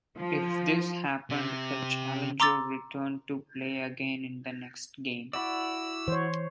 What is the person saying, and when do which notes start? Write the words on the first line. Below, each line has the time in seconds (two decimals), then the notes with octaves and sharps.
If this happened, the challenger returned to play again in the next game.
0.16 F3
1.30 C3
2.40 A#5 C6 D6 E6 A6
5.33 E4 F#4 D5 E6
6.08 E3 C5 C#5